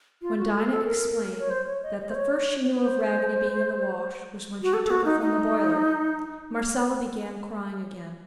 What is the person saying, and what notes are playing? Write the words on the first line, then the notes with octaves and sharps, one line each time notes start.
When Dinah explained that the first she knew of Raggedy being in the wash was when she took her from the boiler, Marcella began crying again.
F4
F#4
A4
A4
A#4
C#5
C5
C#5
D#5
D#5
C5
C#5
C5
F#4
A4
A4
F#4
D#4
D#4